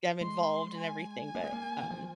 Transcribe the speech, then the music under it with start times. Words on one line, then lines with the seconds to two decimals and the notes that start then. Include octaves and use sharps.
them involved and everything, but, um
0.21 G#3 C6
0.78 G#5
1.35 A#3
1.44 G#3
1.52 A#3
1.83 D#3
1.91 F3